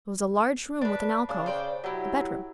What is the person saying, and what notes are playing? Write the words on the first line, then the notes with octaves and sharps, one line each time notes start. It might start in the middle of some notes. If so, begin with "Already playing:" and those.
It was a large room with an alcove--a bedroom.
D4 B4
C#3 D4
C5 D5 G5
F#3 E4 G4